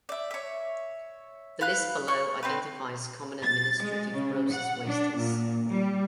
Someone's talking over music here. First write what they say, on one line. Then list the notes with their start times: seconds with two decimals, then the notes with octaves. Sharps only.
The list below identifies common administrative process wastes.
0.09 D5 E5
0.31 C#5 E5
1.61 B4 F5 F#6
2.08 C#6
2.43 C4 G4 B4
3.42 A6
3.82 G#3
4.13 C#3
4.51 F#5
4.86 D4
5.17 A#2
5.70 G3